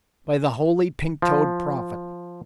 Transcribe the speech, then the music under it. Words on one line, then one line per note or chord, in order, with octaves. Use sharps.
By the Holy Pink-toed Prophet!
F3